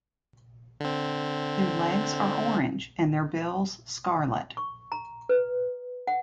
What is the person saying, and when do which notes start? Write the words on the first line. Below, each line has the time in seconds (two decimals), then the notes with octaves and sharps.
Their legs are orange and their bills scarlet.
0.80 D3 C4
4.57 C#6
4.92 A#5
5.29 B4
6.07 F#5